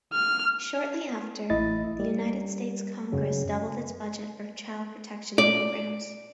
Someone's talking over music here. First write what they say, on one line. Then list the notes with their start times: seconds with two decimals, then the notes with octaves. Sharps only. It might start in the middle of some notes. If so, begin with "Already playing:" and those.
Shortly after, the United States Congress doubled its budget for child-protection programs.
0.13 F6
1.50 A1 A3 E4 D#5 A6
1.99 G3
3.12 F#2 C#3 F#3
5.38 D5